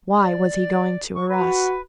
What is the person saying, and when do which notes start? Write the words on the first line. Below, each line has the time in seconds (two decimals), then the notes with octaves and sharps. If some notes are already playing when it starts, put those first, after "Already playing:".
Why was he going to Arras?
0.21 D5
1.15 C#6
1.29 F#4 B4